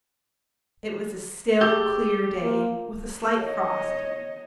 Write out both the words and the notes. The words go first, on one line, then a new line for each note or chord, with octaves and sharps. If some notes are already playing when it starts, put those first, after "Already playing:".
It was a still, clear day, with a slight frost.
G4 G#4 E6 G6 A6
A#3 F4
C#5 D#5